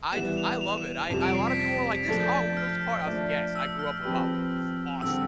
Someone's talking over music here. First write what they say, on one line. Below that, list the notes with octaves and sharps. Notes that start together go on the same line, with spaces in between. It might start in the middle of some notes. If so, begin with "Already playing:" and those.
I just I love it. I I a lot of people were like, "This Hot Wheels car?" I was like, "Yes. I grew up with Hot Wheels. This is awesome."
E3 G3 B3 E7
F7
F7
E7
F2 C3 G3 E7
D7
C7
B6
A6
F3 A3 D4 A4 A6
G6
A6
F6
F3 A3 D4
E6
F6
F3 C4 G4 B4
D3 G3 C4 G4 E6